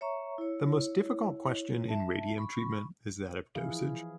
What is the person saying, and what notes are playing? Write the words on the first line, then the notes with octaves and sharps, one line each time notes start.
The most difficult question in radium treatment is that of dosage.
C#5 E5 A#5 C#6
E4 C#5
E5 A5
B5 C#6
E3 F3 E4 G#4 F5